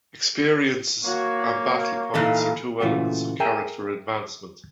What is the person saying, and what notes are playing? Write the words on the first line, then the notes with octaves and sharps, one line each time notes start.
'Experiences' and 'Battle points' are two elements of character advancement.
A#3 F#4 C#5
F#4
A#2 E3 D#4 A4 F5
A#2 C#3 E3 A3 F4 F#4
G#4 A#4 E5 G5 G#5 A#5